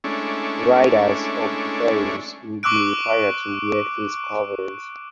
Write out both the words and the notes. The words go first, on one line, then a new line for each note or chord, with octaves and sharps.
Riders of the ferries will be required to wear face coverings.
G#3 A3 C#4 D4 E4
C#6 D6 E6 F#6 D7